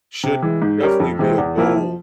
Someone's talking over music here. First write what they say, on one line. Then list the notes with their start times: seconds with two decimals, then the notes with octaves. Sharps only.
should definitely be a goal
0.23 C3
0.42 E3 G#3
0.62 G#2
0.80 G3 C#4 G4 A#4
1.00 F2
1.19 C3 E3 G#3 C4
1.38 E2
1.57 C3 F3 A#3 E4
1.76 F3